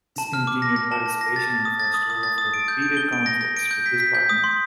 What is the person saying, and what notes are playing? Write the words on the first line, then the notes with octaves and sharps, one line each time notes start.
He discontinued participation in the festival after repeated conflicts with his partner.
A5
F6
D6
A#6
A#6
A5
A5
A#6
A6
A6
D#6
A6
D#6
D#6
A6
D#6
D7
G6
D7
G7
D7
A#6
A#6
D7
G6
B6
B6
G6
D#6
C6